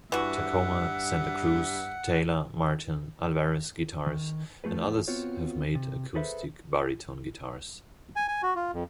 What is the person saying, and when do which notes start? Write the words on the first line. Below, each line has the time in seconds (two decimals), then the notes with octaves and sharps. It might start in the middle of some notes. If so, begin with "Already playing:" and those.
Tacoma, Santa Cruz, Taylor, Martin, Alvarez Guitars and others have made acoustic baritone guitars.
0.12 G2 E3 F#4 E5 F#5
4.07 D#3
4.64 E2 F3 A3 G#4 B4
5.08 B3 C4 F4 F#4 C#5
5.75 C3
6.15 G#4 A4 B4 C5 E5
8.16 G#5
8.28 G#5
8.43 F#4
8.56 F4
8.74 F2